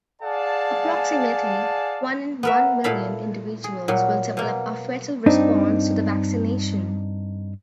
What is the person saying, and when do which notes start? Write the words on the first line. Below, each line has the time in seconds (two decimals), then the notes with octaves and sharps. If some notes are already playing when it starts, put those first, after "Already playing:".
Approximately one in one million individuals will develop a fatal response to the vaccination.
0.22 G#4 D5 F5 F#5 G#5 A5
2.43 B3 A#4 E5
2.84 A#2 E4 A4 F5 B5
3.64 G#4
3.88 A#2 F#3 G3
4.37 B2 A#3
5.26 G2 C4 D4 D#4